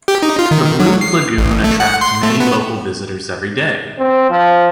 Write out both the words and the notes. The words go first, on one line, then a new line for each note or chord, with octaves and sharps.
The Blue Lagoon attracts many local visitors every day.
G4
D#4
F4
D#3
F#3
C7
A1
A3
F#5
C6
A3
B3
C4
F3